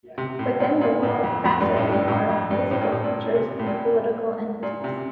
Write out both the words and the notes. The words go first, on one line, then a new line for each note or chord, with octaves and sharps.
Within the World facet are Physical Features and Political Entities.
C3
A2
A#2
A#2
A2
F2
F2
G2
A2
A2
G2
A2
F2
G2
A2
A#2
A2
A#2
C3
A2
A#2
A#2
C3